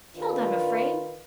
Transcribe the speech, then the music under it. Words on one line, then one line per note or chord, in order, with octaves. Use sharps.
Killed, I'm afraid!
D#3 D4 F4 A#4 B4